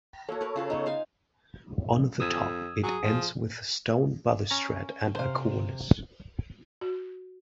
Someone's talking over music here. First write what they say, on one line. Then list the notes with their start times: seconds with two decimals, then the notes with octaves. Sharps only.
On the top it ends with a stone balustrade and a cornice.
0.29 A#3 F#4 A4 C#5
0.41 A#4 B4
0.56 C#3 F4 B4
0.70 C#3 B3 D#4
0.86 C5 F5 G#5
2.20 F2 D#6 E6 G#6
2.84 F#3 G#4 D#6
3.04 F3
4.50 C#4 A#5
5.15 C3 C5 F5
6.81 F#4